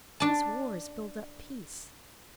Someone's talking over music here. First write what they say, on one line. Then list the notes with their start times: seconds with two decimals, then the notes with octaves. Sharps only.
These wars build up peace.
0.20 D4 A5